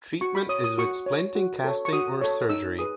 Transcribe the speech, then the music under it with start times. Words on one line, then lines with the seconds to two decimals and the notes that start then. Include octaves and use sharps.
Treatment is with splinting, casting or surgery.
0.21 F#4 C#6
0.35 B5
0.49 C#5 D#6
0.64 D#6
0.78 F#4 C#6
1.06 C#5
1.35 F#4
1.64 A4 C#5
1.85 C#6
1.93 F#4 D#6
2.21 A4 C#5
2.49 D#4 E6
2.79 G#4 B4 D#6